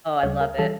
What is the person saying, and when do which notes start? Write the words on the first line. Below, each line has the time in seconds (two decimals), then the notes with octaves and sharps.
Oh, I love it.
0.23 D2 C#3 G3 C#5
0.41 A#4
0.58 E3 G3 A4